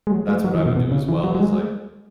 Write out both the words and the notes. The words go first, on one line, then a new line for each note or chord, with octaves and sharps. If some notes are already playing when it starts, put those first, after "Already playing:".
that's what I would do as well is, like,
G#3
F#3
G#3
F#3
E3
B2
B2
C#3
E3
F#3
F#3
G#3